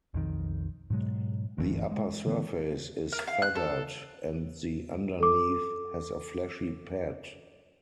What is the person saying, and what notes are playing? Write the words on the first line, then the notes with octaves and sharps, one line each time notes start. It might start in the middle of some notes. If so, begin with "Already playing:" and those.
The upper surface is feathered, and the underneath has a fleshy pad.
B1 F2 D#3
G#2 B2 F#3 G#3
G1 D2 G2 E3
G#3
D3 E3 A3 B3
A#4
F5
F#6
A4
A4 D6